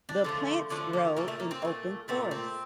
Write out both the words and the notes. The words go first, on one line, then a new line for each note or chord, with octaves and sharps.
The plants grow in open forests.
D4
D3 F3 A3
D3 F3 A3 D4
A#3
A#2 A3 A#3
A3
A#3
C4
A#2 A3
A#2 A3 C4
C4